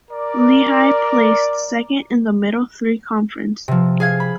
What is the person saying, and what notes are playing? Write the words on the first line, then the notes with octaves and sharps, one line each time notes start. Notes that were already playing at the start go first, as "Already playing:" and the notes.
Lehigh placed second in the Middle Three Conference.
A#4 D5
C3 F3
G#4 F5 G#6
B5